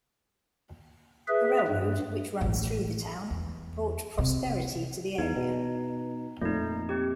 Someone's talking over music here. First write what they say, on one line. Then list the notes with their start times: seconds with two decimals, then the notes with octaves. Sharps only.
The railroad, which runs through the town, brought prosperity to the area.
1.28 G#4 B4 E5
1.68 G2
2.41 A1 A2
3.30 E2
4.18 C3
5.18 E2 D#4
5.36 B2
6.41 F2 A#2 A3 D#4
6.89 C4 G4